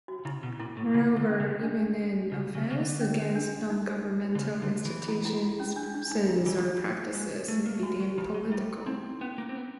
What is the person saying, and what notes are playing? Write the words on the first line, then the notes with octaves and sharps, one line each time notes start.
Moreover, even an offence against non-governmental institutions, persons, or practices may be deemed political.
F#4
C#3 E4
B2
A#2 E4
A2
C#3 F4
D3
C#4
C#3
D4
C#3
C#3
C3
C#3
D3
C#4
D4
D#4
D3
C#3
D3
E3
E4
E4
F4
C#4
D4
D4
D#4
E4
E3 F4
G#3
A3
A#3
A3
G#3 F#4
F#3
F3 F4
F#3
G3 E4
E4
C4 D#4
B3 C#4
A#3
C4
B3